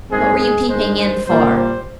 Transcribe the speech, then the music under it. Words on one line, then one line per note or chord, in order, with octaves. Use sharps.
"What were you peeping in for?"
G2 D#3 G#3 C4 G#4
G#4
G2 D#3 G#3 C5
C5
A#2 G3 A#3 C5
C5